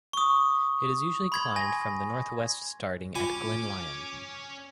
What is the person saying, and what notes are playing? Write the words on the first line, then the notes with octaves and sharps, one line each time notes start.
It is usually climbed from the northwest starting at Glen Lyon.
C#6 D#6
B5 C6 G#6
G#5 A#6
C#4 F4 G#5 D6